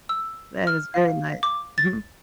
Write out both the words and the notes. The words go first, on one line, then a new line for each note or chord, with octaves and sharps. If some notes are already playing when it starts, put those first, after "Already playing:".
That is very nice mhm.
E6
F6
F5
D6
A6